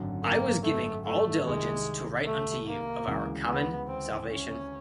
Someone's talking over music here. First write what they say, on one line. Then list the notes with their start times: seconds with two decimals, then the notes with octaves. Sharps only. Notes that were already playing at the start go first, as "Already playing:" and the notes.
I was giving all diligence to write unto you of our common salvation.
Already playing: G#1 F#2 D3
0.23 A#3
0.63 A3
1.05 A3
1.45 C2 C3 D#3 G#3
2.25 A3
2.67 A#3
3.07 D2 C#3 E3 G#3
3.47 B3
3.88 C4
4.29 C#4